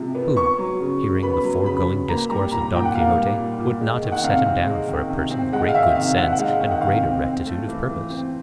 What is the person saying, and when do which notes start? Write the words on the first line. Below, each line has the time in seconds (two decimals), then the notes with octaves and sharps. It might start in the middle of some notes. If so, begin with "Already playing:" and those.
Who, hearing the foregoing discourse of Don Quixote, would not have set him down for a person of great good sense and greater rectitude of purpose?
Already playing: C3 F3 G#3
0.15 B3
0.36 B3 C#6
0.58 F#3
0.80 C#3
1.01 C#3
1.23 B3 B5
1.44 F#3
1.65 C#3 B5
1.87 C#3
2.08 A#3 A#5
2.30 G3 A#5
2.51 A#2 A#5
2.73 A#2 G5
2.85 F#5
2.94 A#3 F5
3.16 G3
3.38 A#2
3.60 A#2
3.80 G#3
4.02 D#3
4.12 F#5
4.24 C3 F5
4.45 C4
4.66 G#3
4.88 D#3
5.10 C3
5.31 C4
5.52 G#3 F#5
5.69 F5
5.74 D#3 E5
5.95 C3 F5
6.17 C4 F#5
6.33 F#5
6.38 G#3 F5
6.60 D#3
6.71 F#5
6.81 C3 F5
7.03 C4
7.24 C4
7.46 A3
7.68 E3
7.89 E3
8.10 C4